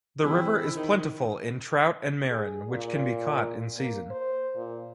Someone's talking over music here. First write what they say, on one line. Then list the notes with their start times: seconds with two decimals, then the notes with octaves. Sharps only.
The river is plentiful in trout and marron which can be caught in season.
0.24 E3 C4 E4 G#4
0.76 D#3
2.30 G#4
2.69 A#2
3.76 A#3
4.10 C5
4.55 A#2